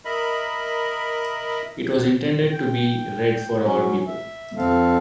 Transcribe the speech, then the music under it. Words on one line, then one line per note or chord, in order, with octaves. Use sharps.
It was intended to be read for all people.
A#4 D#5 E5 B5
G5
F#3 C#4
E5
F2 C4 A4 F5